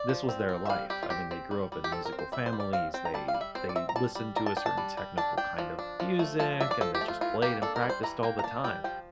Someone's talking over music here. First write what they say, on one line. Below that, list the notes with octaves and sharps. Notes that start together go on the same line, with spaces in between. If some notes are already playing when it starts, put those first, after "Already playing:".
this was their life, I mean, they grew up in musical families, they they listened to a certain technical kind of music, and they just played and practiced all the time.
Already playing: D5
F3
C4
C4
E5
G3 F5
G3 G4
F4
C4 G4
C4
G3
G3
G4
C4 A4
A#4
C4
C5
G3 E5
C5
G3
D5
C4 F5
C4 G5
A#5
G3 A5
F5
G3
E5
C4 C5
D5
C4 E5
A#5
G3 A5
G3
D4 A#5
A5
D4 G5
A5
G3
G3
D4 A5
D4 G5
F3
D4
F3
A3
F3 A5
D4 E5
D5
F3 A4
G4
A3
F4
E3 F4
A#3 G4
D4 A4
A#4
G3
C5
E3 A#5
A#3 G5
A#5
D4 A5
G3 G5
F3 G5